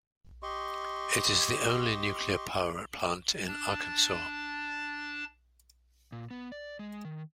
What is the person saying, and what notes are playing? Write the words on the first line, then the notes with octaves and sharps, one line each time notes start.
It is the only nuclear power plant in Arkansas.
G4 D#5 C6 C#6
D4 A5 A6
A#2
B3
D5
G#3
D#3